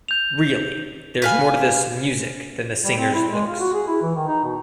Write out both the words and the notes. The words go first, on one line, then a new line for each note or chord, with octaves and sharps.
Really, there's more to this "music" than the singer's looks.
G6 F7
B4 F5 G#5
G3
C4
E4
G#3
F4
F#4
G#4
E4
E3
D#3
D#4
B2